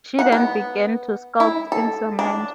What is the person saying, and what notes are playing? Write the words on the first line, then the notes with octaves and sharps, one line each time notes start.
She then began to sculpt in cement.
F#5
B3
E4
A4
D4